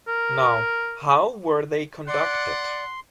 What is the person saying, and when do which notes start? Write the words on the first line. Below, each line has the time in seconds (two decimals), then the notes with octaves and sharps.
Now, how were they conducted?
0.07 A#4
2.08 D5 F#5 C6